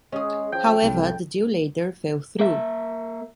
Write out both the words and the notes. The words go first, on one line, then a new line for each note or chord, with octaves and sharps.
However, the deal later fell through.
G#3 C#4 G#4
F3 G5
C2 A2
A#3 E5